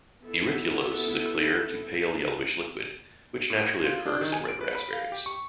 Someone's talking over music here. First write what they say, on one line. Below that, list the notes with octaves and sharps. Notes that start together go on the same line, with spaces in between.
Erythrulose is a clear to pale-yellowish liquid, which naturally occurs in red raspberries.
B3 E4 A4
A2
G#6
F4
D4
D#3
G#5
D7
B4
B5
F5
G4
C#6